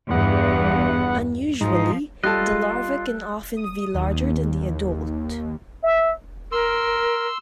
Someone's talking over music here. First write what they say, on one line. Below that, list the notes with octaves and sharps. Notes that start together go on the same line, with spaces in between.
Unusually, the larva can often be larger than the adult.
E2 G2 B3 F#5
G#2 F3 D#4
G3 F4 A4 D#5 F#6
D#6
D#2
E5
A#4 C6 E6